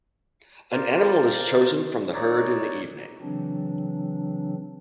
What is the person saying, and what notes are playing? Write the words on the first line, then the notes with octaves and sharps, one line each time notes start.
An animal is chosen from the herd in the evening.
F4 A#4 C5 D5
D#4 C#5 D5
C#3 E3 F#3 C4 D4